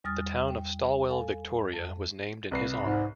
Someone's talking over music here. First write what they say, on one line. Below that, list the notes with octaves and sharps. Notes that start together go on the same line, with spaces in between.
The town of Stawell, Victoria was named in his honour.
E2 G3 D#6 F6 A6
G5
A4 F5 G#5
F2
C2 B4 C7
G#2